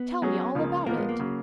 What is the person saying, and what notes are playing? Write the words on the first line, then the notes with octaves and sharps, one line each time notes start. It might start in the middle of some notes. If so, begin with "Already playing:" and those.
Tell me all about it.
Already playing: B3
F#3 C#4 G#4
C#2 C#3 F3 A#3
A#2 F3 A#3 B3 F4 A#4
G#3
A#3
C#3 F#3